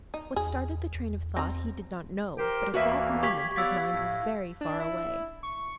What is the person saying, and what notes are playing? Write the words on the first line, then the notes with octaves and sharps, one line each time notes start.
What started the train of thought he did not know, but at that moment his mind was very far away.
D#4
E2 G#4
E2
C4 A#5
G4 A#4 C5 G5
D2 E3 A#3 F#4 B4 E5 F5
G4 C#6 G#6 B6
B3 C#5 D5 F5 E6 G#6 B6
A2
D4
E4
C#6